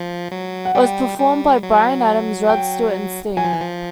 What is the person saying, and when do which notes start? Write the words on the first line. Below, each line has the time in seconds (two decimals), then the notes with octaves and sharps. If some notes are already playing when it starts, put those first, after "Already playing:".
It was performed by Bryan Adams, Rod Stewart and Sting.
Already playing: F3
0.32 F#3
0.65 F#5
0.75 G3 G5
1.19 G3
1.63 F#3
2.49 G5
3.37 F#3 G#5
3.45 F3
3.53 E3
3.61 F3